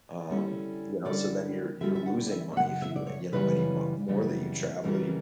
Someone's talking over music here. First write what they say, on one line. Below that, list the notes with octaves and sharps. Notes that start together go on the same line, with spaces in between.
um, you know? So then you're you're losing money if you you know, any mo more that you travel, you're
D3 G3 C#4 E4
D3 G3 C#4 E4 D5
D3 G3 C#4 E4 E5
E5
F#5
D5
E5
E5
F#2 C#3 F#5
E5
D5
C#5
F#2 C#3 E3 G3 C#4 B4
F#2 C#3 E3 G3 C#4
F#2 C#3 E3 G3 C#4 A#4